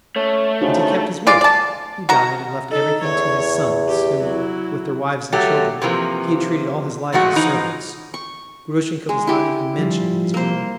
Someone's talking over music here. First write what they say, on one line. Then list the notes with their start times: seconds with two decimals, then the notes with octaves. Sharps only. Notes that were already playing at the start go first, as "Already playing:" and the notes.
And he kept his word; he died and left everything to his sons, whom, with their wives and children, he had treated all his life as servants. Grushenka was not even mentioned in his will.
0.16 A3 C#4
0.61 C#3 F3 D4 D#4 F#4
1.27 G#3 F4 D5
1.41 D5 A5
2.09 F#4 A#5
2.71 D#4 A4
3.04 E2 C#5
3.88 G4
4.24 F#3 E4
5.33 F#3 A3 G4
5.82 C3 E3 F3 A#3
7.12 A#2 F3 G#3 A3 F#4
7.36 E3 F3 D#4
8.14 C#6
9.09 G#3
9.27 E4 G4
9.78 F3 G3
10.34 A#3 C5